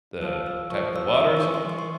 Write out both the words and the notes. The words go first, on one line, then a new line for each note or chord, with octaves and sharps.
the type of the water or something.
F3 E6
E6
F3 C#6
E6
E3 E6
C#6
C6
C#6
C6